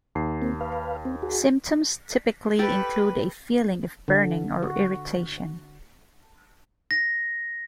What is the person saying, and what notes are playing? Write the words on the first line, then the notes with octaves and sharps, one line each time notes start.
Symptoms typically include a feeling of burning or irritation.
D#2 C7
A#3 C4
B4 F5
C4
F#4 G#4
G4 A4 B4
D3
F#4
A#6